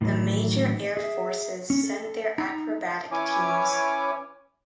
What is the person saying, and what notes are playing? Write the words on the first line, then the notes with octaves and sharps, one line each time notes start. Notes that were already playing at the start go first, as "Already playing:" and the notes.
The major Air Forces sent their acrobatic teams.
A2 D#3 E3 F#3
G#4 E5
C#4
A4
D#4
E3 C#4 E4 C#5 G#5 D6